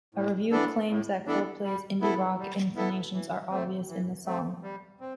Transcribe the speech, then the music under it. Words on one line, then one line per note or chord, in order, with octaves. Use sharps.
A review claims that Coldplay's indie rock inclinations are obvious in the song.
A2
E3 B3 D4 A4
A2
E3 B3 D4 A4
G3
B3 E4 A4
G3
B3 E4 A4
E3
A3 C4
E3
A3 C4
G3
C4